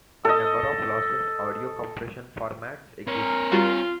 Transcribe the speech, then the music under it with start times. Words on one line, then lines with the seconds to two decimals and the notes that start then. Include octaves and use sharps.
A number of lossless audio compression formats exist.
0.25 A4 D#5
3.07 C4 A#4 C#5
3.52 G3 F4 F#4